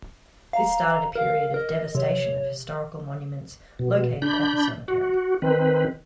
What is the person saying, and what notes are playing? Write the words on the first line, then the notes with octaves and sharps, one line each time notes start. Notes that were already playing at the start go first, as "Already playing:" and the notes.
This started a period of devastation of historical monuments located at the cemetery.
F5 A#5
A#4 F5
A#4 D#5
C3 C#5
B2
D4 B5 G6
F#4
D#3 C4 B4